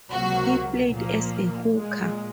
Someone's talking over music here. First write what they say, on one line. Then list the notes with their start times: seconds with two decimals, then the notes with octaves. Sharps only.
He played as a hooker.
0.11 C#2 C3 F#3 A#3 F#4
0.92 A#2 F3 A#3
1.74 A#2 G#3